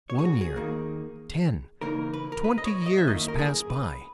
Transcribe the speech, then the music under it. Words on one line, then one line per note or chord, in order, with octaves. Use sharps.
One year, ten, twenty years pass by.
C#5
G#4
F#4
G#4
D#2 D#3 A#3 D#4
C#3 E3 A#3 D#4 A#4
B4
A#4
B4
D#5
C#5
D#5
E5
F#2 D#3 A#3 C#4 E4 D#5
A#4
G#4
B4